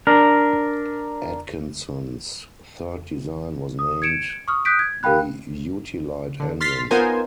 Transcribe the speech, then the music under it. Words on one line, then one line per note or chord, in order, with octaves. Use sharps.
Atkinson's third design was named the "Utilite Engine".
D4 A#4
D#6
G#6 C#7 D7 E7
C#6 D#6 F6
D#6 F#6 G6 B6 D7
G#6
G4 A#4 F5 G5 B5 F#6
D3
C6 F6 A6 B6 C7
B3 D#4 F4 A#4 C5 G#5